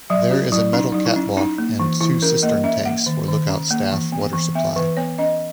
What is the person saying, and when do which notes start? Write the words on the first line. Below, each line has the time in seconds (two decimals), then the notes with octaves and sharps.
There is a metal catwalk and two cistern tanks for lookout staff water supply.
0.10 F#3 E5
0.31 C#4 F#4
0.52 F#3 E4
0.73 C#4 D#4
0.92 F#3 D#4
1.06 E4
1.16 C#4
1.37 C#4 D#4
1.58 A#3
1.80 E3
2.00 E3 E4
2.22 C#4 A#4
2.42 A#3 D#5
2.64 C#4 E5
2.85 A#3 F#5
3.06 D#3
3.28 D#3
3.49 C#4
3.71 A#3
3.92 E3
4.12 B3
4.33 E3
4.55 B3 E5
4.76 E3 B4
4.97 B3 C#5
5.18 C#4 D#5